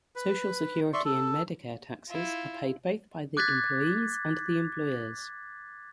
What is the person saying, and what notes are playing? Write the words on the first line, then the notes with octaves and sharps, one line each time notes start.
Social Security and Medicare taxes are paid both by the employees and the employers.
B4
D5 E5 C6 C#6
A4
E4 F4
D6 F#6 G#6 A6 B6